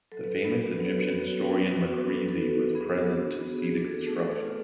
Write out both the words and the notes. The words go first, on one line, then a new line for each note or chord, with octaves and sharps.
The famous Egyptian historian Maqrizi was present to see the construction.
F#3 A4
B4
A4
B3 F#4
F#3 B4
C#5
B4
B3 F#4
B3 B4
F#4
B3 A4
B4
A4
F#4
B3 G#4
D4 F#4
B3
G#4
D4 F#4
A4
A3 G#4
A4
F4 B4